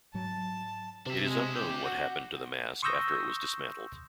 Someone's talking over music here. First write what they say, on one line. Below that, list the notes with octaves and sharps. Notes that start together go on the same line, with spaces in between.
It is unknown what happened to the mast after it was dismantled.
G#2 F#3 A5
C3 D4 E5
G#3
G4 G6
F#4
C6 C#6 D#6 E6 G6 A#6